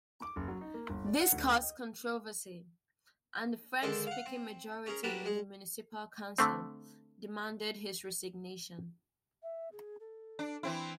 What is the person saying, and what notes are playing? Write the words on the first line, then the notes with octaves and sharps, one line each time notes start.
This caused controversy, and the French-speaking majority in the municipal council demanded his resignation.
D6
F#1
F#3
D#4
A#3
G1
D5
F#5
D2
G5
D#5
D3 D#3 G#3 D4 A4 C5
F5 F#5
C4
C#4 G#4 A#4
F#3 G3 D4 G4 A#4 B4
G#3 G#4
D3 A3 C4
E5
G#4
A4
D4
E3 C4 E4